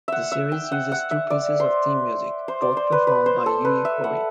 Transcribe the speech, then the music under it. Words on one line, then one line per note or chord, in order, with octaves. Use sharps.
The series uses two pieces of theme music, both performed by Yui Horie.
E5 F#5
E5
G5
F#5
F#5
E5
D5
C5
C5
D5
C5
B4
B4
C5
A4
B4
E5
F#5